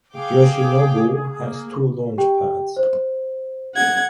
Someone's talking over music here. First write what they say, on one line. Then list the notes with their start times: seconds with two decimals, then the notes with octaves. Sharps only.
Yoshinobu has two launch pads.
0.14 G#4 F5 G5 D6
1.38 A#3
2.18 G4 G5
2.76 C5
3.75 F#5 G#6